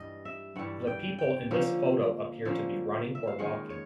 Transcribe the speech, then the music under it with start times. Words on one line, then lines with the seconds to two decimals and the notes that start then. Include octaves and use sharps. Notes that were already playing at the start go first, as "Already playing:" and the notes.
The people in this photo appear to be running or walking.
Already playing: G2 E3 G3 D#5
0.25 E5
0.56 G2 E3 G3 F#5
0.87 G5
1.19 G5
1.51 D3 F3 A#3 C#4
2.45 D3 F3 A#3 C#4
3.15 E5
3.27 F5
3.39 D#3 G#3 C#4 F#5
3.70 C#5